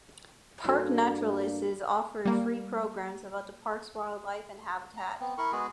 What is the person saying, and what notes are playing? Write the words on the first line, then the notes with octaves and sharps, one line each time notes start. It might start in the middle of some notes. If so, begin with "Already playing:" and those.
Park naturalists offered free programs about the park's wildlife and habitat.
G2 A#3 D4 F#4 A4 G#6
G3 A#3
A#5
B3 C4
E4 A#4 C#6
G#3 B3 F#4 G#4